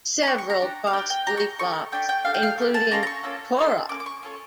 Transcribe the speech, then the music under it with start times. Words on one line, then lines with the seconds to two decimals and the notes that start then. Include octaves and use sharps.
Several costly flops, including Tora!
0.23 A#5
0.27 D4 G4 C#6
0.38 C#6
0.50 A#5
0.60 D4 G4
0.87 F5
0.93 D4 G4 G5
1.10 G5
1.26 G4 A#5
1.31 D4
1.37 C#6
1.59 A3 D4 G4 C#6
1.92 A3 D4 G4 G5
2.09 G5
2.25 A3 D4 G4 F5
2.34 G5
2.43 F5
2.58 A3 D4 G4
2.74 A5
2.91 A#3 C#4 F4 A4 A#5
3.03 A#5
3.07 C#6
3.23 A#3 C#4 F4 A4
3.57 A#3 C#4 F4 A4
3.89 A#3 C#4 D6
4.00 D6
4.06 C#6
4.23 C#4 F4 A4